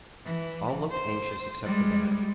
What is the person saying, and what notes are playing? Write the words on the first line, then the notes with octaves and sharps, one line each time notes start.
All looked anxious except the baron.
E3
C5
G3 G#3